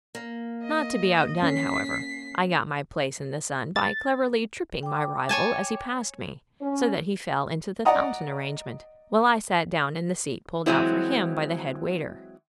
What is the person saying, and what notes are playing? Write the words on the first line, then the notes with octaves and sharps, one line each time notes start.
Not to be outdone, however, I got my place in the sun by cleverly tripping my rival as he passed me, so that he fell into the fountain arrangement, while I sat down in the seat pulled out for him by the head waiter.
A#3
D#5
C#4 B6 C7
A6
G5 D6
C#5 G#5 A5
C#4
D5 D#5 F#5 A#5 D#6
E3 F#3 G#3 C4 E4